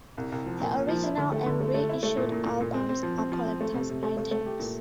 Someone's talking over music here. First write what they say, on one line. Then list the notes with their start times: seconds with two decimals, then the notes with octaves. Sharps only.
Her original and reissued albums are collector's items.
0.17 C2
0.32 C2
0.46 F3
0.60 A#2
0.75 A#2
0.88 F3
1.04 E4
1.18 D3
1.32 A3
1.46 D3
1.61 A3
1.74 A3
1.90 E4
2.03 A3
2.17 A#2
2.32 A#2
2.45 A#2
2.61 A#2
2.74 C4
2.89 C4
3.03 F3
3.18 C4
3.32 F3
3.45 C4
3.61 A3
3.74 C3
3.89 C3
4.03 A3
4.17 A3
4.31 A3
4.46 G4
4.60 A#2